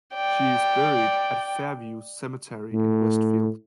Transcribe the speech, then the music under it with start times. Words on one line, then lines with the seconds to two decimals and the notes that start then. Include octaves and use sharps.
She is buried at Fairview Cemetery in Westfield.
0.15 D5 G5
2.73 A2